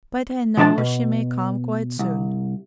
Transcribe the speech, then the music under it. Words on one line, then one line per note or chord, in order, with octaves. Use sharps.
But I know she may come quite soon.
B2 F3 D4 C#5 A5
B2
C2